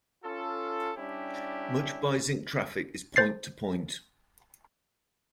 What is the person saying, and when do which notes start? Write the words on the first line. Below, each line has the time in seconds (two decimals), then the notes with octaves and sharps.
Much Bisync traffic is point-to-point.
0.24 C#4 F4 A4
0.97 G3 C#4 D4 E4 G4
3.16 C5 A6 C7